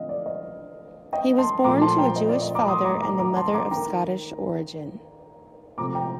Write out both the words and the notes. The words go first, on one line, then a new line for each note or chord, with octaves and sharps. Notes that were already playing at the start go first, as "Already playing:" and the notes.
He was born to a Jewish father and a mother of Scottish origin.
Already playing: D3 F3 A3 C4 D#5 F5
D5
D#5
D#5 G5
A5 C6
A#2 F3 A3 C4 A#5 D6
A5 C6
G5 A#5
D#5
D5
D#5
A#5 D6
C6 D#6
A#5 D6
A#5 D6
A#5 D6
A5 C6
A#5 D6
D#3 A#3 G5 A#5
C3 F3 A3 C4 A#5 D6
G5 A#5